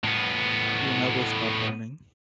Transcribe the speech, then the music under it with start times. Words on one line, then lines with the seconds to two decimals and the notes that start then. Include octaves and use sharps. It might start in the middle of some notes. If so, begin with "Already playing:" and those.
We never stop learning.
0.04 A2 B3